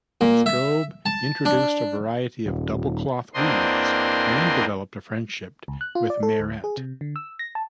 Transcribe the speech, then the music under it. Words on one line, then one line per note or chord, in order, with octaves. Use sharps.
Straub introduced a variety of double cloth weaves and developed a friendship with Mairet.
A#2
E5
A5
D4
D#1
E2 A#3 C4 D4 D#5 C6
C#2
F#6
F4
D5
A4
D2
G#4
C3
D3
E6
A#6
A5